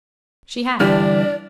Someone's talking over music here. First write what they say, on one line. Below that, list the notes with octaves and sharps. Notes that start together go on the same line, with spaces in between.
She had.
G2 D3 E3 D4 G4 D5 F6